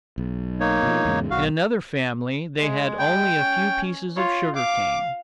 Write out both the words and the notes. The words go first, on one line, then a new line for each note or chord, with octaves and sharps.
In another family they had only a few pieces of sugarcane.
B1
A#3 D#4 C#5
B2 E3 F3
E2 G#2 C#3
B1 F#4 F5
G#3
G5
C#4
F4 C#5
F5 D6